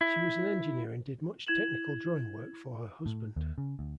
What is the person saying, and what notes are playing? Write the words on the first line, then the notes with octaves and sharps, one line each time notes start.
She was an engineer and did much technical drawing work for her husband.
E4
E4 G#6 E7 F#7
A2
D#2
C#3
D2